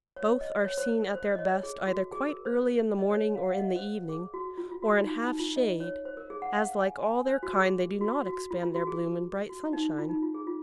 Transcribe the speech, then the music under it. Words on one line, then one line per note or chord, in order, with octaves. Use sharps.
Both are seen at their best either quite early in the morning, or in the evening, or in half-shade, as, like all their kind, they do not expand their bloom in bright sunshine.
C#5
D#5
C#5
C5
C5
A#4
C5
D#5
C#5
G#4
F#4
G#4
A#4
C5
D#5
C#5
F5
F#5
F5
D#5
C5
G#4
F#4
F4
F4
F#4
D#4
F4
D#4
F4
D#5
C#5
C5
A#4
G#4
F#5
F5
G#5
G#5
C5
F#4
G#4
F#4
F#4
F4
F4
F#4
G#4
F#4
D#4
F4
D#4
F4
G#4
F4